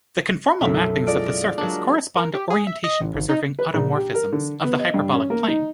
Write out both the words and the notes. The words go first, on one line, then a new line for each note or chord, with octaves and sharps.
The conformal mappings of the surface correspond to orientation-preserving automorphisms of the hyperbolic plane.
B1 F#2 A3 E4
F3 G#3 F4 D5 D7
F#3 G#3 A#3 D4
A#4
G4
G#4
E5
D#5
A1
G#1
D#4
B4
A#1
G4
A#4
D3
B3
D#5
G2
C#4
A#3
D#4